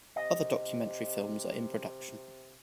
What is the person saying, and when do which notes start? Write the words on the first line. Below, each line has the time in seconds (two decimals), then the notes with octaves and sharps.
Other documentary films are in production.
0.16 C3 D#5